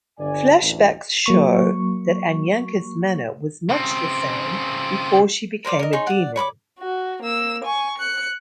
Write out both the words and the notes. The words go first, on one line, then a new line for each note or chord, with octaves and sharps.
Flashbacks show that Anyanka's manner was much the same before she became a demon.
G1 D3 D5 G#5
A1 D2
F#3 A#3 C#6
C#3 C4
A#4 C5 D5 D6
A#4 D#5
D#4 G#4 C#5 C6
D5 F#5
C#5 B5 C#6 D6
F#4
A#3 E6
G#5 C#6
F#6 C#7